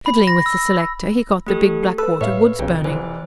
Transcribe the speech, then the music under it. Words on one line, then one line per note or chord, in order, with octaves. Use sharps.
Fiddling with the selector, he got the Big Blackwater woods-burning.
B5
A#6
E6
A3 G4 A4
A4 B4 E6
A2 B4 C#5 E5 F5
B1 F2 C#3
F1 E3 C5